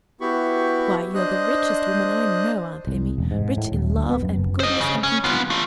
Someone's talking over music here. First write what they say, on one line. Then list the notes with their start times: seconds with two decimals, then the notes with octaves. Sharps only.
"Why, you are the richest woman I know, Aunt Emmy--rich in love and goodness and contentment."
0.21 B3 E4 F#4 G4 B5 C#6
1.14 D4 C5 D#5 D#6 F#6
2.87 C2
3.18 E1
3.31 G#2
3.57 A2
3.72 D#1
3.96 D2
4.09 B3
4.22 F#2
4.37 F#1
4.60 C5 D#5
4.80 C#3
5.03 C#4
5.24 B3 F4
5.50 A3 F4